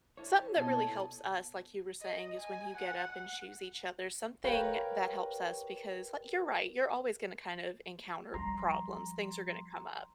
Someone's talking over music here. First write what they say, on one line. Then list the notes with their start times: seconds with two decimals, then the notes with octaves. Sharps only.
something that really helps us, like you were saying, is when you get up and choose each other, something that helps us because, like, you're right, you're always gonna kind of encounter problems, things are gonna come up,
0.17 E4 C#5
0.56 B2 A4 D#5 G#5
2.01 D#5
2.39 G#5
2.77 F#5
4.44 G4 A#4 B4 C#5 F5 G5
8.34 F3 G3 A#5 C6